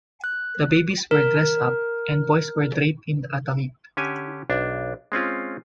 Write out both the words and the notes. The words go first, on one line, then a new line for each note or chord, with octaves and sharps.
The babies were dressed up, and boys were draped in a tallit.
F#6
A#4
D3 C#4 G4 G#5
B1 D4
G#3 C4 C#4 F4